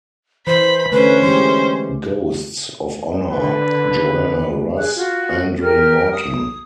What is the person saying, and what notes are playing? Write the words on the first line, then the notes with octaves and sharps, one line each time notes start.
Ghosts of Honour: Joanna Russ, Andre Norton.
E3 C5 B5
D3 A3 C#4 B4 C5
E3 G#3 G4 C6
D3 B4
G#4 F#6
F4 F#4
G4 A#4 G5 F6
D#6